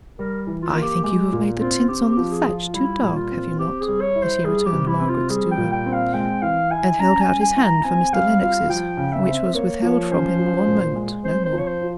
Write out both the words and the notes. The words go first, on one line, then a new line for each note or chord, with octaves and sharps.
'I think you have made the tints on the thatch too dark, have you not?' as he returned Margaret's to her, and held out his hand for Mr. Lennox's, which was withheld from him one moment, no more.
G3 A#4
E3
F4
A#3
G4
G#3 G4
A#2
C4 F4
C4 G4
G4
F3
G#4
F4
G3 E4
A#2
F4
C4
C4 G4
G#4
G3
C#5
E4
C5
G3 G#4
G4
C3
E4
C4
F4
G3 G#4
G5
A#2
G5
C4
F5
G#3 G5
E3 F5
E4 G#5
C#4 A#5
G#5
G3
G#5
E4
A#5
C4 G#5
G3 F5
F4 F5
F3 G5
C#3
E5
C4
A#3 C#5
F3 C#5
C#4 C5
F3
A#2
G#3
C4 C5
C5
F3
C#5
C5
F4